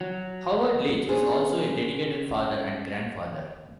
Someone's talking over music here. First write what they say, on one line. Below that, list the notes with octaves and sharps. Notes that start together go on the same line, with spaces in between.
Howard Leach is also a dedicated father and grandfather.
F#3
B3 C#4 D4 G#4 B4 C5